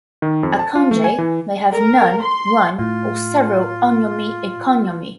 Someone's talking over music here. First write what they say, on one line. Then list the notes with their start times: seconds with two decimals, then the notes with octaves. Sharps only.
A kanji may have none, one, or several on'yomi and kun'yomi.
0.22 D#3
0.43 F2
0.59 A5
0.75 F4
0.91 A3
1.04 G#5
1.18 E3
1.72 A#4
2.23 C6
2.79 A2 F4